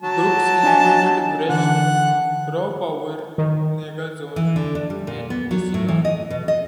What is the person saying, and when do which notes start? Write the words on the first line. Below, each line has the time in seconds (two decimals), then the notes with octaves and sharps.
Groups included Wretched, Raw Power, Negazione and Declino.
0.02 F#3 A5
0.63 D4 D#5 G#5
1.49 D3 E3 F#5
3.38 D#3
4.36 E3
4.56 D3
4.75 D4
4.90 G3
5.07 A#2
5.30 B3
5.51 F#3
5.74 A2
5.88 E3
6.05 D#5
6.30 B2
6.48 D#5